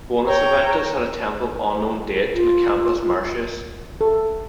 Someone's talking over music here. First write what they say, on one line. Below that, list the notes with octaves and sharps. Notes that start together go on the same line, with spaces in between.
Bonus Eventus had a temple of unknown date in the Campus Martius.
C#5 G5 A#5 C#6
F4
A4